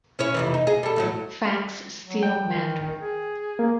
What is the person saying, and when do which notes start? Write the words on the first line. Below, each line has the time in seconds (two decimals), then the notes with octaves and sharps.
Facts still matter.
0.19 C#4 E4 C#5
0.34 F2 C3 E3
0.54 D#4
0.67 G#4 D#5
0.83 G3 A4
0.96 E2 A2 F#3
2.05 F#3
2.23 G5
2.42 D#3
3.01 G#4
3.59 A#3